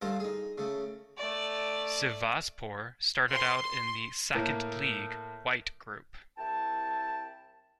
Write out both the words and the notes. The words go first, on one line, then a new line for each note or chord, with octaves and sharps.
Sivasspor started out in the Second League, White Group.
G2 A3 C5 F5 A5
D#4 G#4
C#3 A3
A3 D5
C6
A2 A#3
C2 E4 G5 A5